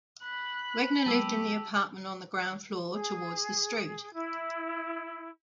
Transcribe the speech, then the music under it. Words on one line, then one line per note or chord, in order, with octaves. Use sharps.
Wegner lived in the apartment on the ground floor towards the street.
B5 F#6
F#3 G#3 B3 G4 A5 E6 F#7
G#4
E4